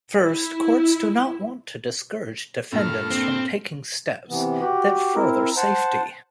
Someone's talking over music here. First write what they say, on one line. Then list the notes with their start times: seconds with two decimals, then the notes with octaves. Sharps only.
First, courts do not want to discourage defendants from taking steps that further safety.
0.24 E4
2.72 G2 A#2 A4 A#5 F6
3.11 C4
4.30 C3 E3 B3
4.61 F#4 G4
5.16 C4 E4 A#4
5.57 C5 F#5 A5